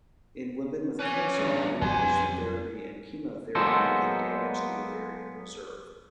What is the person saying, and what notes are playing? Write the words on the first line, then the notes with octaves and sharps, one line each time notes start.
In women with cancer, radiation therapy and chemotherapy can damage the ovarian reserve.
C#4 B4 G#5
E2 G2
F2 F#3 G3 B4 G#5 C6
F#3 G#3 A#3 B3 A4 C5